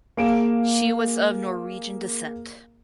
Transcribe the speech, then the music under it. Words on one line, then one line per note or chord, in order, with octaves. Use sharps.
She was of Norwegian descent.
A#3 G#4 D7 E7